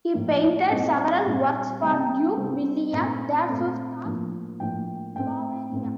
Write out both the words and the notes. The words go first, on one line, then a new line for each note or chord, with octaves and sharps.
He painted several works for Duke William the Fifth of Bavaria.
A2 F3 A#3
A#2 G3 C4 D#5
A#2 G3 C4
C3 G3 C4 G5
A5
G5
C3 G3 C4
A#2 A3 C4 A#5
A#2 A3 C4
A2 F3 A#3 D4
A2 F3 A#3 D4 G5
A2 A3 C4 G5
A2 A3 C4